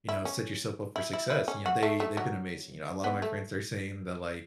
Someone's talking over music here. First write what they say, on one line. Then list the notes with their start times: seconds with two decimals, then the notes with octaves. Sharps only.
you know, set yourself up for success. You know, they they've been amazing, you know, a lot of my friends are saying that, like,
0.09 E4
0.25 C#4
0.96 E4
1.13 E4
1.30 E4
1.48 C#4
1.66 F#4
1.83 A3
2.00 A3
2.17 F#3
3.04 B3
3.22 A3